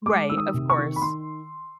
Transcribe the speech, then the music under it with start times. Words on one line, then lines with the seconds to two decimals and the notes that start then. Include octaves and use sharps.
Right, of course.
0.06 G#3 D6
0.30 D#3 E6
0.37 D#6
0.54 C3
0.70 C#6
0.77 D#3
0.96 B5
1.02 D#3 C6